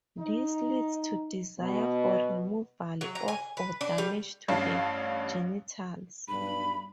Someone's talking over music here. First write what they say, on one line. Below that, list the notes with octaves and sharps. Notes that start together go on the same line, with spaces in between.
This leads to desire for removal of or damage to the genitals.
D#4
B2
F#3
A#5
G#5
B4
D4
G3
A1 G2 C#4 F5 A5
B1 G2 B5